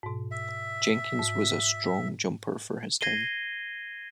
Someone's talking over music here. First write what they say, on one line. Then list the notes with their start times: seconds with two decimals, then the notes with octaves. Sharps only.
Jenkins was a strong jumper for his time.
0.03 G#2 B2
0.31 E5
1.19 G#2
3.01 G#6 A#6 C7 D#7 G7